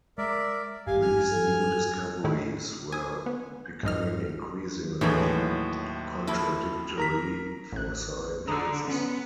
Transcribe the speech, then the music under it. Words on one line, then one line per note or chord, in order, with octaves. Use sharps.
These new discoveries were becoming increasingly contradictory for scientists.
G#3 A#4 D5 E5
G#1 G2 G4 F5 G#5
G#5 F6
A4
A2 D#3 A3 E4
G#5 D#6
B3
G#1 F#2 D#4 F6
D#2 A2 E3 F#3 G#4
E4 A4 B5
A#4 A#5 B6
A1 F#6
D3 A#5 D#6 E6
B3 C#4